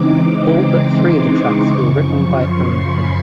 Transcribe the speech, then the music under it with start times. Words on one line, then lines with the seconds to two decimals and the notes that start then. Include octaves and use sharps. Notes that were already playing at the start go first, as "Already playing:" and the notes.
All but three of the tracks were written by Ellington.
Already playing: C#3 E3 G#3 C4 D#4 D6
0.60 C6
1.15 C#6
1.69 F#2 C#3 F3 C#6
2.24 C6
2.79 B5